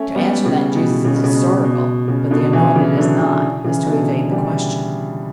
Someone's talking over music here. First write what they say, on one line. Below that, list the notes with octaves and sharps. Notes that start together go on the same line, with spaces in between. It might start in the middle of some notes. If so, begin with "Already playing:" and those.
To answer that Jesus is historical, but The Anointed is not, is to evade the question.
Already playing: A3 C#4
G3 B3
C#3
B2
C#3
B2
C#3
B2
B2
C#3
B2 D3
C#3 E3
C#3 E3
D3 F#3
C#3 E3
C#3 E3
B2 D3
E3 G3